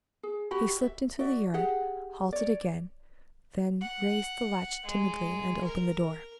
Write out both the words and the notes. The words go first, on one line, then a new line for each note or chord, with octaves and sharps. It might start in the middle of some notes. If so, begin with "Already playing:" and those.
He slipped into the yard, halted again, then raised the latch timidly and opened the door.
G#4
F#4 G4 B5
E5
F#4 D5 E5
G4 G#4 F#5
C#5 D5
F#5
G#3
A#4